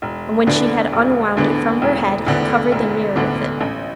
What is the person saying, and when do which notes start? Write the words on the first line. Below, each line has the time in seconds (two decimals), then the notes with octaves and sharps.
And when she had unwound it from her head he covered the mirror with it.
0.02 E1
0.47 D2 D3 B3 D4
0.92 E1
1.37 D2 D3 B3 D4
1.82 E1
2.26 D2 D3 B3 D4
2.72 E1
3.16 D2 D3 B3 D4
3.61 A1